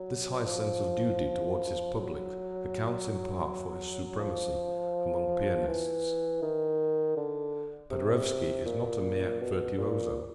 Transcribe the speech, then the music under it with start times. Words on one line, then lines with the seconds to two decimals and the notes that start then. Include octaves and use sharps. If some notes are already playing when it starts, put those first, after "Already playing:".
This high sense of duty toward his public accounts in part for his supremacy among pianists Paderewski is not a mere virtuoso.
Already playing: F#3
0.46 F3
1.94 F#3
4.19 F3
5.68 E3
6.42 D#3
7.16 D3
7.91 C3
8.65 A#2
9.41 B2
9.78 A#2